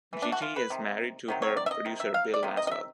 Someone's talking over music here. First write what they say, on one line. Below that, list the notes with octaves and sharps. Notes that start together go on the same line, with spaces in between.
Gigi is married to her producer Bill Laswell.
E3 A3
D4
F#4
F4
B4
C3 D#3
C3 D#3 F#3
C#5
D5
E5
D#5
C3 D#3
E5
F5
D5
C3 D#3
D#5
D#5
E5